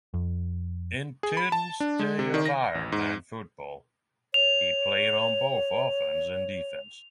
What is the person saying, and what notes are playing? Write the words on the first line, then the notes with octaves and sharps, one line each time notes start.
In Tittle's day of iron man football, he played on both offense and defense.
F2
G#4
B5
A5
D4
G#3
C3
D#3
A#6
A1
G#2
C#5 F7